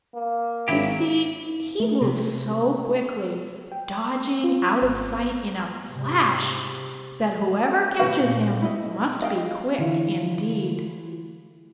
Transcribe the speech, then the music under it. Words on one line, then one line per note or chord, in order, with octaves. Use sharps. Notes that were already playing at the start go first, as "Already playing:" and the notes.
You see he moves so quickly, dodging out of sight in a flash, that whoever catches him must be quick indeed.
A#3
G#1 F#3 E4 G4
A3
C3
G5
E6
F4
G#1
G#2 C3
A2 C3 F3 B4 F5
A#2
E4 D#5
D#5 F5 G5
D3 E3 E4 F4